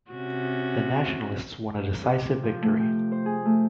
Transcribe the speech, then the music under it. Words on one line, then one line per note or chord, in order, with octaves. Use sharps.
The Nationalists won a decisive victory.
C3 C#4 F#4
C3
F3
A3
G5
C5
G#4
A3